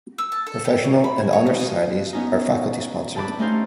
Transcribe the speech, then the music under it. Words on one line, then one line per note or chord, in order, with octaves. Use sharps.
Professional and Honor societies are faculty sponsored.
E6
A5
A4
G4
C#5
B5
G#5
C#5
D#4
F4
B3 C#4 D#4
G2 D4 A5 B5 D6
A3 C#4 D#4 C5 F5